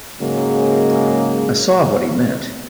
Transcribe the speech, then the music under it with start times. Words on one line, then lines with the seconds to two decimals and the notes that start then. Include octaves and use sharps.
I saw what he meant.
0.21 G#2 C#3 F#3 G#3 A#3